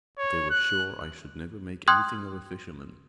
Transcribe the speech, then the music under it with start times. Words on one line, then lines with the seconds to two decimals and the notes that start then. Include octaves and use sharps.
But they were sure I should never make anything of a fisherman.
0.18 C#5
0.50 F#6
1.88 G5 C6 D#6 F6 F#6 G#6